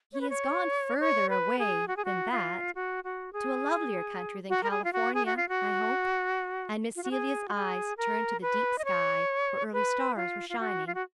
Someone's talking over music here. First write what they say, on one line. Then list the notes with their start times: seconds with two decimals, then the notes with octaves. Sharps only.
"He has gone further away than that, to a lovelier country than California, I hope." And Miss Celia's eyes turned to the deep sky, where early stars were shining.
0.13 C#5
0.21 B4
0.30 C#5
1.00 C#5
1.30 B4
1.59 G#4
1.88 F#4
1.96 G#4
2.05 F#4
2.32 F4
2.75 F#4
3.04 F#4
3.33 G#4
4.49 F#4
4.63 A#4
4.71 G#4
4.84 F4
4.93 F#4
5.14 G#4
5.25 F#4
5.37 F4
5.48 F#4
6.96 F4
7.03 F#4
7.11 G#4
7.48 F#4
7.54 G#4
7.97 A#4
8.41 B4
8.78 D#5
8.85 C#5
9.72 B4
10.16 F4
10.49 F4
10.59 F#4
10.87 F4
10.94 F#4